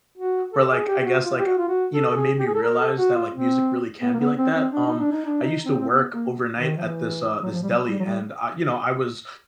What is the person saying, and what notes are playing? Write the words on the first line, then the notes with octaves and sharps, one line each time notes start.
where, like, I guess, like, uh, you know, it made me realize that, like, music really can be like that. Um, I used to work overnight at this, uh, this deli, and I you know, I was
F#4
A4
G#4
G4
G4
F#4
F4
G4
F#4
F4
F#4
A4
A4
G#4
G4
G#4
A4
A#4
A4
F#4
F4
C4
B3
A#3
B3
C4
C4
D4
D#4
D4
D#4
D4
D#4
C4
C4
B3
A#3
D#3
F3
E3
F#3
F3
G3
F#3
G3
F#3
G3